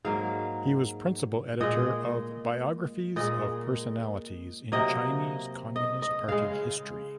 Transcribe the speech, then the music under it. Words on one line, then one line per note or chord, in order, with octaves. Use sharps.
He was principal editor of "Biographies of Personalities in Chinese Communist Party History".
G#2 F#3 A#3 F5
A#2 G#3 D#5
A#2 G#3 D#5
C3 F#3 A#3 D#5
D#5
D#5
C#3 G#3 F5